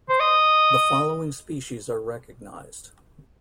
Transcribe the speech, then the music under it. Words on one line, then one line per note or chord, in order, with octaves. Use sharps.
The following species are recognized.
C5
D#5